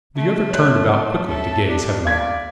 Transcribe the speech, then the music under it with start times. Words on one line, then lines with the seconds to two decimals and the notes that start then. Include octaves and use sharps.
The other turned about quickly to gaze heavenward.
0.17 A3
0.50 C#5 F#6
1.28 A4 E5
1.68 D4 G4
2.05 D5 F5 G#6 B6